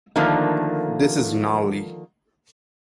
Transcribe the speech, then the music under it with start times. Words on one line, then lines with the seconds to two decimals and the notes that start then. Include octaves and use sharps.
This is gnarly.
0.16 D3 D#3 F3 A3 A#3